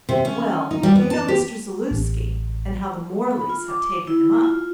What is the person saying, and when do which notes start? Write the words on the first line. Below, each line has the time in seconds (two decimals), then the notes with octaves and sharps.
"Well, you know Mr. Zaluski, and how the Morleys have taken him up?"
0.09 C3
0.25 C#4
0.71 D#4
0.83 G3
0.96 B3
1.10 A5
1.28 G4
1.91 A1
3.31 B5
3.49 F4
3.68 D6
4.07 E4
4.44 F4